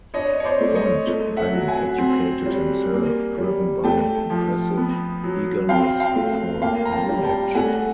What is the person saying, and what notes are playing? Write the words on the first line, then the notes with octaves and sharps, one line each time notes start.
Bond then educated himself, driven by an impressive eagerness for knowledge.
D4 C#5 D#5
C#5
C5 D5
A3
C#5 D#5
A3
E5 F#5
F#3
F#5 G#5
C4
G3
A#3
G3
A3 G5 A5
F3
B3
F#3
C4 F5 G5
F5 G5
A3
A#3 F5 G5
A#5
G5 A5
G3
G5 A5
A3 F#5 G#5